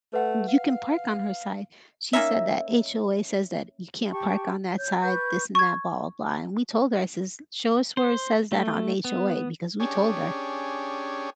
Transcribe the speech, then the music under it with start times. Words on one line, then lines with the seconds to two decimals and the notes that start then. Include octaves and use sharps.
you can park on her side. She said that HOA says that, "You can't park on that side, this and that, blah blah blah." And we told her, I says, "Show us where it says that on HOA," because we told her,
0.13 A3 B4 F#5
0.48 F5
2.13 A#3 C#4 D#4 E5
4.11 G4 A5 C#6
4.77 C#5 G6
5.02 B4 C#6 G6
5.55 C#6 G#6
7.97 C5
8.52 A3
9.05 B3
9.80 C#4 D4 G4 G#4 C#5